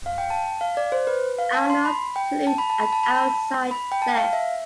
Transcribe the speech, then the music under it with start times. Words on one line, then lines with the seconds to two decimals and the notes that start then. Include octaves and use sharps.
Arnold played at outside left.
0.06 F5
0.18 G5
0.30 A5
0.61 F5
0.77 D5
0.92 C5
1.07 B4
1.39 F5
1.54 A5
1.70 C6
1.85 B5
2.16 G5
2.47 A5
2.58 B5
2.70 A5
2.81 B5
2.93 A5
3.03 B5
3.15 A5
3.71 B5
3.92 G5
4.02 A5
4.17 F5
4.33 E5